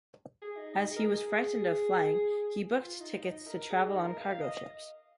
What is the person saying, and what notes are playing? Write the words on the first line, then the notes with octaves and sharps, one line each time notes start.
As he was frightened of flying, he booked tickets to travel on cargo ships.
G#4
D#4
D#4
G#4
A#4
G#4
F4
D#4
D#4
A#4
G#4
D#4
A#4
F5
D#5